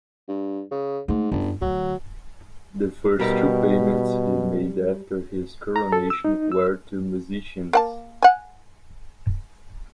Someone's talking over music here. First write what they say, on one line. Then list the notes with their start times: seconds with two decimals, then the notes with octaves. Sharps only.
The first two payments he made after his coronation were to musicians.
0.28 G2
0.71 C#3
1.08 G#2 A3
1.32 G1 F#2
1.61 D2 F#3
3.20 B2 G3 A#4
5.76 A#5
5.92 A4
6.10 E6
6.25 D#4
6.52 E6
7.73 A#3 F#5 A5
8.22 F#5 G#5